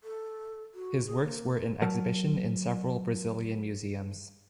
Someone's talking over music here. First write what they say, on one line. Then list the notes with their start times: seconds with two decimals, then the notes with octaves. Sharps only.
His works are in exhibition in several Brazilian museums.
0.04 A4
0.74 F#4
1.07 G#4
1.24 A#3
1.82 F#3 A#4 A5